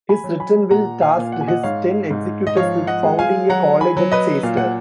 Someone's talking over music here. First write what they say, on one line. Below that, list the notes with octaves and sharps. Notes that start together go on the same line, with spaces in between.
His written will tasked his ten executors with founding a college at Caister.
G#5 B5
F#3
G#5 B5
A#2 F#5 A#5
F5 G#5
A#2
F#5
G#5
D#5 F#5
G#2 C#5 F5
G#2
D#5
F3 C#5 F5
D#5 F#5
G#3
F5 G#5
F#3 F#5 A#5
G#5 B5
F#3
B4 D#5
A#2 F5
F#5